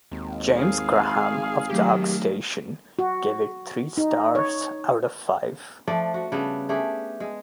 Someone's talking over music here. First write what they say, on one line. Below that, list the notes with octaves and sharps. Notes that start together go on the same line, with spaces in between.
James Graham of "Dark Station" gave it three stars out of five.
G#1 D#2
G#4 F5
D#3 F#3 A3 G4
F#4
D#4
C#5
F3 A3 D4 D5
F#4
C#3 G3 B3 D4
A3 D4 G4 G#4
G#3